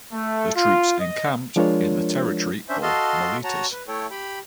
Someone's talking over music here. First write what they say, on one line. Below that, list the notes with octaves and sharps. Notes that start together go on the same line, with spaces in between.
The troops encamped in the territory of Miletus.
A3
F4
D#5
F3 G#3 D4 F4 A#4 C#5
C#4 D4 C5 E5
F#4 A4 D#5 F5 A5 C6
F#4 C#5 A5 A#5
B4
A3 E4 A4 C#5 G5
G4 G5 B5